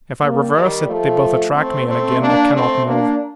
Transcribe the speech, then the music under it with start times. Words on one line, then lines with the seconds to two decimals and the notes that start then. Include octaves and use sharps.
If I reverse it, they both attract me, and again I cannot move.
0.21 G3 A#3
0.54 D#3 G3
0.87 F3 A3
1.54 A3 C4
1.87 A3 C4
2.20 A#3 D4
2.53 A3 C4
2.86 A#3 D4